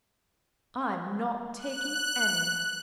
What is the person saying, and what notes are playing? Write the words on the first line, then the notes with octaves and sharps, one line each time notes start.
I'm not taking any.
F#6